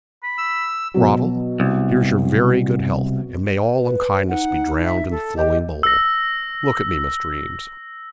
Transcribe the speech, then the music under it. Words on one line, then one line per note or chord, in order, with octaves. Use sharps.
Mr. Cradell, here's your very good health, and may all unkindness be drowned in the flowing bowl-- Look at me, Mr. Eames.
B5
E6
B2 F#3
C2
B4
D#4 F#5
E5
A4
G4 D#5
E6 A#6